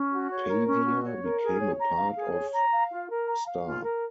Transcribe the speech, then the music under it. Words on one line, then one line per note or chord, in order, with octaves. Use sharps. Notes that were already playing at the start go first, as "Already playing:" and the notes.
Pavia became a part of Sta.
Already playing: C#4
F#4
C#5
A#4
C#4
F#4
C#5
A#4
G#4
C#5
A#5
F5
G#4
C#5
A#5
F5
F4
A#4
A#5
F5
F4
A#4